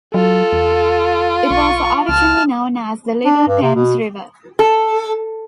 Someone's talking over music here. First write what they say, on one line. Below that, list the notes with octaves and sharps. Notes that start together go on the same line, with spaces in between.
It was originally known as the Little Thames River.
F#3 F4 A4
E2
B1 C#6
C#2 A5 F6
D4
G2
C3
B2
A4